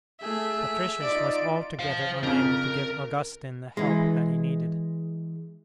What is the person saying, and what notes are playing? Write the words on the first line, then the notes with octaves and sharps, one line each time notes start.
Patricius was altogether unable to give Augustine the help that he needed.
A3 G#4 E5
D#4 F4 D5 D7
C5 F5
F2 C#3 A#4
E3 G#3